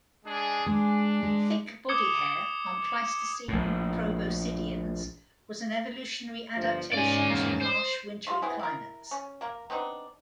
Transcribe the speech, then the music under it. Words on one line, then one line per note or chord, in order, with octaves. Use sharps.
Thick body hair on Pleistocene proboscideans was an evolutionary adaptation to harsh wintery climates.
G#3 D4 G#4
G#3 D4 G#4
G#3
D6 D#6 G#6 C#7 G7
A#1 A2
G1 F3
G#2 C#4 D5 G#5
E2 A#3
C5
F4 A4 E5 C6
B3 C4 E4 G#4
E4 A#4
C#4
A#3 A#4
B3 C4 D4 D#4